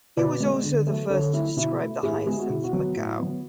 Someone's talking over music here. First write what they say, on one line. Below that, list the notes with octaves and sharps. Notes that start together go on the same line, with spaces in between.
He was also the first to describe the hyacinth macaw.
B2 B4 D5
G#3 B3
D3
F#3 A3
D3 A4 C#5
A3 E4
B2 E4
A3
A2 E4 G#4
G#3 B3 G#4
F#4
B2 E4
F#4
F#3 B3
A2
F#3 B3